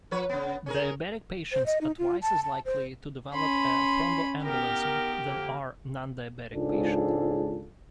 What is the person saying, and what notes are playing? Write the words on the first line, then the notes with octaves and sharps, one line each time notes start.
Diabetic patients are twice as likely to develop a thromboembolism than are non-diabetic patient.
F3 B4 C#5
C#3 B3
C#4 G#4 A#4
C5
D#5
D#4
F4
A5
A5
C5
C#4 B5 C6
D#3 B3 G4 A#4
F2 D3 A#3
C#2 G#2 D4 F4 G#4 A4